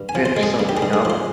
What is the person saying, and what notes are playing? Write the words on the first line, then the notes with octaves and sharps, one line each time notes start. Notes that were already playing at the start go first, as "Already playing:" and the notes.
finish something up
Already playing: G2
G#5
F3
C5
G#3
G#4
G2
G4
G#4
G2
G#4
F3 C5